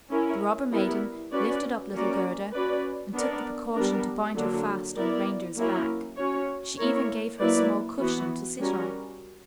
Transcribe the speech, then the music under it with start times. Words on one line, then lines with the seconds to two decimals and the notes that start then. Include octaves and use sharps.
The robber maiden lifted up little Gerda, and took the precaution to bind her fast on the Reindeer's back; she even gave her a small cushion to sit on.
0.10 C#4 E4 A#4
0.71 G3 B3 E4 A#4
1.32 C#4 F#4 B4 D5
1.92 A#3 C#4 F#4 A#4 D5
2.53 C#4 F#4 B4 D5
3.13 B3 D4 A#4 D5
3.74 G3 B3 D4 A#4
4.35 D3 F#3 A#3 D4
4.96 B3 E4 A#4 D5
5.57 F#3 A#3 C#4 E4 A#4
6.17 C#4 F#4 C#5
6.77 A#3 E4 A#4 C#5
7.39 F#3 A#3 E4 B4 D5
7.98 E3 B3 F#4
8.59 G3 C#4 F#4 A#4